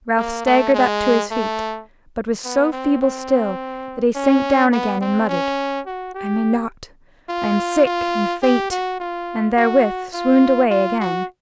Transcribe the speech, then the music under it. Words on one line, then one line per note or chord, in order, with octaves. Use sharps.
Ralph staggered up to his feet, but was so feeble still, that he sank down again, and muttered: "I may not; I am sick and faint;" and therewith swooned away again.
A#3
A3
G#3
A3
B3
C4
C4
C#4
B3
C4
C#4
F#4
G4
F4
F4
G4
F#4
F4
F#4
F4
F4
F#4